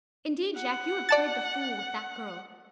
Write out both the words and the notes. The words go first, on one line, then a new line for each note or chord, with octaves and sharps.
Indeed, Jack, you have played the fool with that girl.
F#5
D5 A5 A6